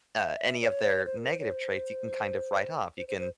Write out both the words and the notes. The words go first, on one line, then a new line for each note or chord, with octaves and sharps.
uh, any of their negative traits you can kind of write off, you can,
E5
C#5
C5
A#4
C5
C#5
C5
C5
C5
C5